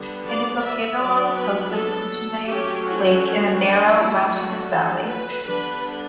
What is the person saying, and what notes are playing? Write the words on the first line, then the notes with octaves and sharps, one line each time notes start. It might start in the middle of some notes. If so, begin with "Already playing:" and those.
It is located along the coast of Kootenay Lake, in a narrow, mountainous valley.
Already playing: D3 G3 B3
D5
E5
F#3 B3 D4 D5
B4
A4
F#3 A3 C#4 G4
F#4
D4
D3 F#3 A3 D4 E4
F#4
A4
B4
D3 G3 B3 D4 B4